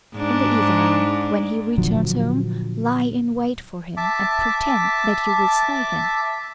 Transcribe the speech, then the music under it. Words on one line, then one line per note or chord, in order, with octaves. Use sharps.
In the evening, when he returns home, lie in wait for him and pretend that you will slay him.
G#2 D4
A#2 D3 F3 F#3
E5 A5 D6